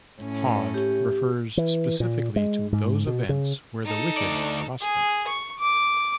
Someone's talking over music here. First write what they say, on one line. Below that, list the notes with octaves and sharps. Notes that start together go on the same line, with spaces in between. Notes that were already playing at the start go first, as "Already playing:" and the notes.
Hod refers specifically to those events where the wicked prosper.
A2 C#4
G4
E3
A#2
G#3
G#2
B2
C#3
D#4 A4
D2 D5
G#4
C#6
D6